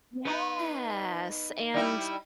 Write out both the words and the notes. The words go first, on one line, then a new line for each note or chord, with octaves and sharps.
Yes, and
B3 D#4
G3 D#4 E4